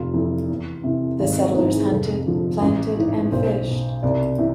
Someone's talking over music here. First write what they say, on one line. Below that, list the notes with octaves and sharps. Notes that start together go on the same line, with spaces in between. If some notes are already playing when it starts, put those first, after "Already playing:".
The settlers hunted, planted and fished.
Already playing: F1 F4
F2 E3
E2
C3 E3
G#1 G#3
C4
B3
G#2 E3 C4
G#4
F1 A4
F2 D3 F3
A1
G#2 E3
B1 C5
B2
C2 D5
C3 E3